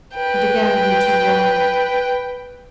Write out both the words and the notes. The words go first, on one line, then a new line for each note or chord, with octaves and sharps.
And again we two wandered.
B4 G5